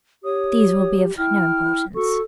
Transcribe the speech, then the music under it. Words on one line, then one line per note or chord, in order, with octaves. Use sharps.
These will be of no importance.
G4 C#5 D#6
E4 G5 F6
F#4 A4 C#6